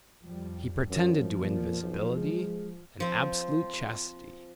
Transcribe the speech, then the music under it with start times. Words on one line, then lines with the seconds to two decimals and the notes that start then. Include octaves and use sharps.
He pretended to invisibility and absolute chastity.
0.24 F2 F3 G3
0.90 F#2 F3
1.37 A#2
1.83 B1
2.17 G#3
3.00 F3 C4